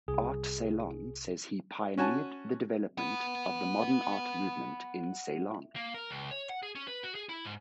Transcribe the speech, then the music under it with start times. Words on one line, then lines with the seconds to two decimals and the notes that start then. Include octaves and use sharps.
Art Ceylon says he "pioneered the development of the modern art movement in Ceylon".
0.08 C2 G#4
1.98 C#4 F#4 G#5 A5
2.98 F#5 B5
5.76 A#3
5.94 A#4
6.11 C#2
6.31 C#5
6.49 F#5
6.63 G#4
6.75 C#4
6.88 B4
7.04 F#4
7.15 G#4
7.29 E4
7.45 G#2